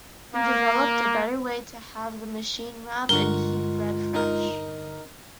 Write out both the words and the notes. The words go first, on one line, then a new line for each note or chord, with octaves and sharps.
He developed a better way to have the machine wrap and keep bread fresh.
A#3
G2 D3 G#3 F4 A#4 F#5 C#6 G7
D#4 A#4